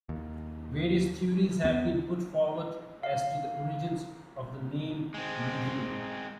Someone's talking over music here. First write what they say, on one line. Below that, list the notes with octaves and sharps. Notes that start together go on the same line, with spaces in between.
Various theories have been put forward as to the origins of the name "Loudoun".
D#2
D#2 B3
F5
G#3 C4